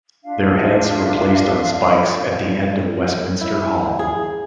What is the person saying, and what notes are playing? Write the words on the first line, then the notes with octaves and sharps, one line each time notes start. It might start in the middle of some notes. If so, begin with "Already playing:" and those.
Their heads were placed on spikes at the end of Westminster Hall.
D4 F4 E5 F5
E4
G#4